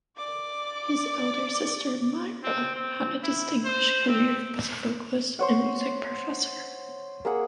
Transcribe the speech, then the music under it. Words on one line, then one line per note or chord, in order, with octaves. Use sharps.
His elder sister, Mira, had a distinguished career as a vocalist and music professor.
D5 D6
C4
C4
E4
C5
C4
C5 C#5 F#5
A#3 G#4 F#5